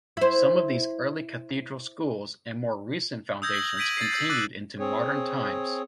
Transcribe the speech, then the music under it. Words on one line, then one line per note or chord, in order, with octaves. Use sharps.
Some of these early cathedral schools, and more recent foundations, continued into modern times.
E4 C5
D#6 E6 G6 G#6 A#6
F#7
G6 G#6 B6 D7 D#7 F#7
A6 C7
E6 G6 C7
D6 E6 F#6 A6 D#7
C4 G#4 C#5